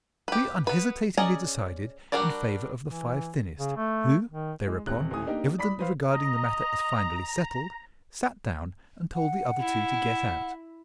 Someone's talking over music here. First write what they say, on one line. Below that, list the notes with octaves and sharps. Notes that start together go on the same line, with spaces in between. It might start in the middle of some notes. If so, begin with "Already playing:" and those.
We unhesitatingly decided in favour of the five thinnest, who, thereupon, evidently regarding the matter as finally settled, sat down, and told the other two to get out.
G4 B4
B3 B4
C#4 G#4 D5 D#5 A#5
G3 D4 F#4 A#4 D5
E3
C#3
A3
D#3
G#3
D#1 C3 F#6
D#1 A2 A3 G#5 D#6
A#3 D4 D#4 G4 A#4 D#5
D5 B5 B6
B4 C5 F5
D#5 A#5
F#5
E4